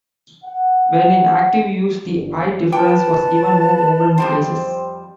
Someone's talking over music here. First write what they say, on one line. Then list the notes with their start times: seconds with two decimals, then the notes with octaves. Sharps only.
When in active use, the height difference was even more, over in places.
0.43 F#5
2.10 G1
2.72 F4 B4 G5 A5
4.18 F2 G3 C4 C5